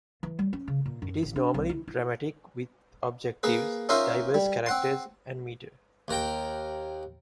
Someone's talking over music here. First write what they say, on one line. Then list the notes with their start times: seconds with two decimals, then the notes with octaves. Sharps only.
It is normally dramatic, with objectives, diverse characters, and metre.
0.23 E3
0.39 G3
0.53 C#4
0.68 C#3
0.86 A#2
1.02 F#2
1.23 A1
1.36 D4
1.54 C2
1.69 E4
1.88 E4
3.43 A#3 G#4 B4
3.89 C#4 D#4 F4 A#4 C5 E5
4.34 G3
4.66 C4 F#5 C6
6.08 D#2 A#4 G5